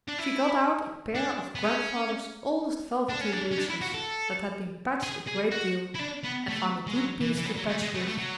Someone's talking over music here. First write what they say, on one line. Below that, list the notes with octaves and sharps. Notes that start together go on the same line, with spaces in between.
She got out a pair of Grandfather's oldest velveteen breeches that had been patched a great deal, and found a good piece to patch with.
D4
E4
D4
B3
C#4
D4
C#4
D4
C#4
D4
E4
F#4
A4
G#4
G#4
F#4
E4
D4
B3
A3
G#3
F#3
E3
E3
F#3
F#3
A3
G#3
A3
B3
A3
F#3